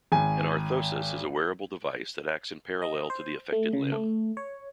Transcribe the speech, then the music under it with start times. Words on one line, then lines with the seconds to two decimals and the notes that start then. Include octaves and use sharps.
An orthosis is a wearable device that acts in parallel to the affected limb.
0.12 G#1 G#5
2.82 D#5
3.10 C5
3.52 A3
3.73 C#3
3.92 A3
4.37 C#5